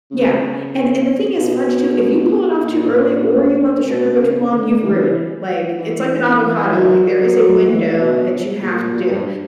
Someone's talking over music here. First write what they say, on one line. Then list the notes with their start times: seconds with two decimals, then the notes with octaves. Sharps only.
Yeah. And and the thing is fudge, too, if you pull it off too early or you let the sugar go too long, you've ruined it. Like, it's like an avocado, like, there is a window that you have to do.
0.11 C#3
1.37 B2
2.63 A#2
3.85 C#3
3.89 B2
4.21 C#3
4.52 D3
4.83 E3
5.78 E3
6.41 E3
6.73 F#3
7.04 F#3
7.35 F#3
7.67 E3
7.98 B2
8.62 A#2
8.93 A#2
9.09 G2